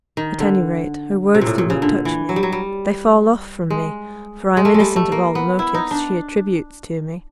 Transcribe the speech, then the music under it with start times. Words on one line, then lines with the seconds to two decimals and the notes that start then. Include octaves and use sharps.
'At any rate, her words do not touch me; they fall off from me; for I am innocent of all the motives she attributes to me.
0.17 D#3
0.40 D3
1.35 C3
1.41 A#2
1.47 A2
1.58 A#2
1.70 C#3
1.82 D3
2.05 E3
2.29 F#3
2.36 G3
2.43 F#3
2.52 G3
3.70 G#3
4.57 G#3
4.65 A3
4.74 G#3
4.80 G3
4.96 A3
5.12 A#3
5.35 B3
5.59 E4
5.74 D#4
5.91 D4